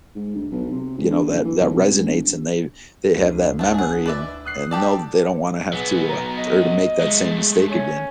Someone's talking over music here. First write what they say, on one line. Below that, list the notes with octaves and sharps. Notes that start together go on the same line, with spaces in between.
you know, that that resonates and they they have that memory and and know they don't wanna have to, uh, or to make that same mistake again.
G#2
D2
B1
C3
C#2
D3
F#1
E3
B1
C2
C#2
G1
D2
A3 B3
G#4 F#5
B4 D5 E5
D#6 F#6 C7
G4 A4 D5
F#3 B3 G#4
A#5
D#5
G#3 A3
C#4